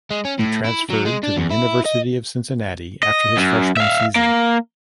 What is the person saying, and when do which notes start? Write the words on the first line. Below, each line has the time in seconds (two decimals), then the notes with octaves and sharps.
He transferred to the University of Cincinnati after his freshman season.
0.11 G#3
0.25 C#4
0.39 A2
0.64 E4
0.90 F#3
1.05 G#3
1.23 D4
1.37 E2
1.51 E4
1.86 D#5
3.03 D#5
3.37 F#2
3.77 E5 F5
4.16 A#3